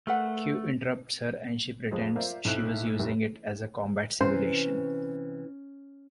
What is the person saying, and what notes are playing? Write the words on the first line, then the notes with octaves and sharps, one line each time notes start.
Q interrupts her, and she pretends she was using it as a combat simulation.
A3 A#4 B4 F#5
F2 F3 G#3
F4 A#4 C5 D5 E5
B1 C4 E4 F#6 F#7
F1 G3 A3
C3 E3 C#4 C5